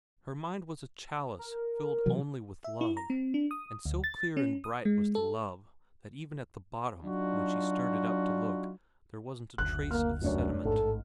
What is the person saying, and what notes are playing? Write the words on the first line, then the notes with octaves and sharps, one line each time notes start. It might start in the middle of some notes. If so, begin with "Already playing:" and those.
Her mind was a chalice filled only with love, and so clear and bright was the love that even at the bottom, when she stirred it up to look, there wasn't a trace of sediment.
A#4
C3 E3 F#3
E5
E4
A#5
C4
D4
D#6
D2
A6
C#4
D#6
G#3
A4
F#3 D4 D#4 F4 F#4
F#1 D2 F#6
A#3 F6
F1 F#2 D4 C#5
A1 G#2 A4